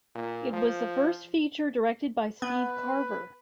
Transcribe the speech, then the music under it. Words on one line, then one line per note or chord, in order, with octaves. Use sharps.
It was the first feature directed by Steve Carver.
A#2
F3
B3 B4